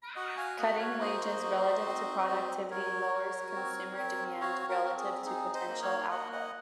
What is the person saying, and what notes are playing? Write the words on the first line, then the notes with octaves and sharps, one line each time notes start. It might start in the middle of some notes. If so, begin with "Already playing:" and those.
Cutting wages relative to productivity lowers consumer demand relative to potential output.
F#4 D#5 F#5
A#5
F5 G#5
A#3 D#5 F#5
C#5 F5
D#4 C5 D#5
F#4
C4
F#3
F#3 A#4 C#5
F#4
C4
C4
F#4 C#5 F5
F#4 A#4
C4
G#4
D#4 G#4
C5 D#5
A#3
C#5 F5
A#3 D#5 F#5
D#5 F#5